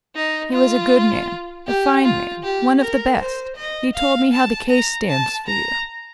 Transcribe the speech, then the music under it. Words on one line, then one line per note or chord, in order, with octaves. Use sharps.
He was a good man, a fine man, one of the best; he told me how the case stands for you.
D#4
F4
G4
F4
G4
A#4
C5
D#5
F5
A5
A#5
A5
A#5